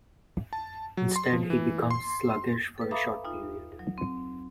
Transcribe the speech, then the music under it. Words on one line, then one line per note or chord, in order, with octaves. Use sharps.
Instead, he becomes sluggish for a short period.
A5
F#3
C6
F3
E3
C6
A4 B4
E5 F5 A#5 B5 D6 D#6
D#2 D#4 F4
F#3
C4